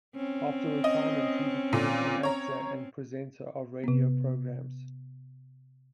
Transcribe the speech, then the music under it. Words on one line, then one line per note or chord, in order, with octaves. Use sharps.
After retirement, he became an actor and presenter of radio programs.
C4 C#4
D#5
A#2
C#5 A#5
C3 B3